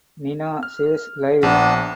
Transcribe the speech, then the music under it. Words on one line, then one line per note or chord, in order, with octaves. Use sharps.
Nina says "Live".
F6
A#1 B3 D4